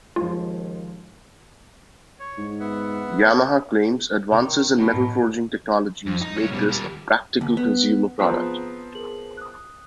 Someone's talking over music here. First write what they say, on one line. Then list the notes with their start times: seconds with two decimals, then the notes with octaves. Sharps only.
Yamaha claims advances in metal forging technologies make this a practical consumer product.
0.16 D#2 F3 G#3 F4
2.20 C#5
2.38 G#2
2.60 B3 E5 F#5
4.32 C3 D#3
4.78 B2 F#3
4.94 A2
6.06 F2
6.21 D#4
6.37 G#3 C#4
6.52 B2 G3
6.68 D#2 G3
7.41 D#2
7.57 B3
8.19 F3 B3 C4 G#4 A#5 D#6
8.95 G#4 A#4 F#7
9.37 D#6 F#6